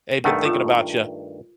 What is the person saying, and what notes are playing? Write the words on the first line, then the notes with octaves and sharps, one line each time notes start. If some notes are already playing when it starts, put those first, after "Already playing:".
"Hey, been thinking about you,"
G2 D#3 A3 F#5
F4